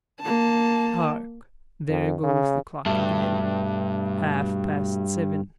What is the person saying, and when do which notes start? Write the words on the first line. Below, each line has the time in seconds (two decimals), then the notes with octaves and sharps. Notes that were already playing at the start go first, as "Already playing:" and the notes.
Hark! there goes the clock again--half-past seven.
0.20 A#3 A5
1.89 F2
2.23 C#3
2.86 G2 B2 A3